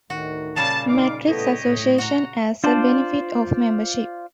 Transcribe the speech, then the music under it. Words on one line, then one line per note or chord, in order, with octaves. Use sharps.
Metric Association as a benefit of membership.
D2 A2 D#3 F#4
A#2 C#3 G3 A5
D#4 F4 D5 F5 D6
A2 B3 G4 A4 C#5 D#5
A2
F#4 A#5
D4 F4 C5 D5 A5